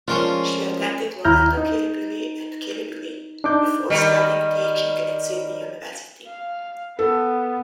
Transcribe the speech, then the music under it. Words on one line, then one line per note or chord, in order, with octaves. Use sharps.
She attended Loreto Kirribilli at Kirribilli, before studying teaching at Sydney University.
F3 G#3 A3 C#4 D4 F4 A#4 C5
D#2 E4 A#5 F6 G6
D#4
D4 D#4 D6 G6
D#3 G3
F5
B3 A4